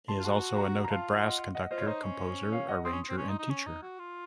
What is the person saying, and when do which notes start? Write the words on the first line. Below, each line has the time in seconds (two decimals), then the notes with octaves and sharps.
He is also a noted brass conductor, composer, arranger and teacher.
0.08 A5 C6
0.19 F4
0.24 F#4 A5 C6
0.57 F#5 A#5
0.84 A#5
0.89 F4 F5 A5
1.22 D#5 F#5
1.55 D#5 F#5
1.71 F4 C5 D#5
1.80 C#5
1.87 D#4 C5 D#5
2.03 C#4
2.52 C#5 F5
2.68 D#5 F#5
2.85 C4 C6 D#6
2.92 C#4
3.09 C4
3.17 C#4
3.29 D#4
3.39 D#4
3.50 C#4
3.66 D#4
3.83 F#4
3.99 F4